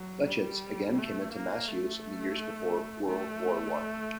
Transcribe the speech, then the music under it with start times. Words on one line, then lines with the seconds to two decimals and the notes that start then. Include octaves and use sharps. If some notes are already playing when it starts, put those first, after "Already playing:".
Flechettes again came into mass use in the years before World War One.
Already playing: F#3
0.27 G3
0.98 A3
1.33 A#3
1.68 A3
3.08 A3